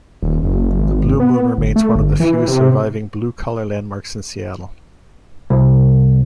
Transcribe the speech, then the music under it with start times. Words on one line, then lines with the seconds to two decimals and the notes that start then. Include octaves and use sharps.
The Blue Moon remains one of the few surviving blue-collar landmarks in Seattle.
0.23 D#1
0.43 F#1
0.79 G#1
1.20 B3
1.57 G1
1.76 A3
1.96 G1
2.20 E3
2.48 C3
5.50 C2